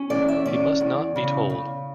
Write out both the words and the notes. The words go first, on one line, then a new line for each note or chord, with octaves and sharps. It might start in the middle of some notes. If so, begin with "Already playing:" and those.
He must not be told.
Already playing: C#4
E2 D5
E5
C#4 D5
E2
C#3
C#3